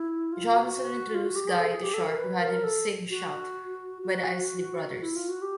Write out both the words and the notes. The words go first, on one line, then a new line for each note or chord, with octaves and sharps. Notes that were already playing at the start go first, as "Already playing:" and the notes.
Johnson introduced Guy to Sharp who had him sing "Shout" by the Isley Brothers.
Already playing: E4
F4
F#4
F4
F#4
G4
G#4
A4
G#4
G4
A4
A#4
B4
A#4
A4
F#4
F#4
E4
F4
F#4
G4